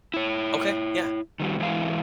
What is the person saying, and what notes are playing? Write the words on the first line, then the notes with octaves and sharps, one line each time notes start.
Okay. Yeah.
E4 C#5
D#3 G3 F#4
G#2 E3 G#3 E4 F5